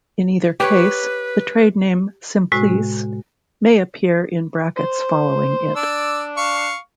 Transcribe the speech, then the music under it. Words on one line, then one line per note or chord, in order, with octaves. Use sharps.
In either case, the trade name "Simplesse" may appear in brackets following it.
G4 B4 C#5
A2 C3 G#3 F#4
C5
D4 D5 E6
F5 C#6